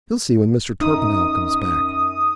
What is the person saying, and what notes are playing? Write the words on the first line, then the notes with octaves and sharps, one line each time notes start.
You'll see when Mr. Torpenhow comes back.'
F#2 D#4 D#6